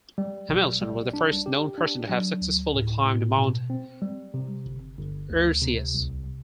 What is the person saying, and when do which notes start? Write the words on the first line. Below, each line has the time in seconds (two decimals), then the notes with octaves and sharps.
Hamilton was the first known person to have successfully climbed Mount Erciyes.
0.18 G3
0.49 B1
0.81 G3
1.13 D4
1.46 G4
1.78 D4
2.09 F#3
2.41 D2
2.74 A2
3.06 A2
3.38 B2
3.70 C4
4.02 G3
4.34 C3
4.66 G1
4.98 G1
5.30 D2
5.62 C3
5.94 C2